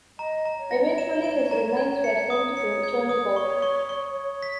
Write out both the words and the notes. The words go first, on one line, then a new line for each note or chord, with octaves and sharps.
Eventually his remains were sent to Chernigov.
D#5 A#5
A#5
C#5
A#6
E7
E7
A#5
G#6
C#7
D#6
C#5 C#7
G#6
D#6
D#5
C#5 C#6
C#6
C#6
C#5 C#6
B6